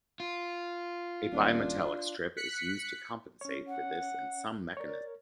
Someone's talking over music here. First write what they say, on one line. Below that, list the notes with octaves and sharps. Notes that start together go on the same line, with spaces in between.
A bimetallic strip is used to compensate for this in some mechanisms.
F4
D#1 D4
F#6 B6 C#7
C#4 C#5
F#5
A#4 C#5 D5